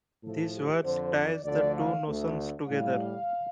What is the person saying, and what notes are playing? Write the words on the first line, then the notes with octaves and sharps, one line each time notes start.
This verse ties the two notions together.
A2 F3 A3 A4
G4
F2 D3 F3 C5
D5
D2 D3 F3 A3 D5
F5
D2 D3 A3
A2 G3 F5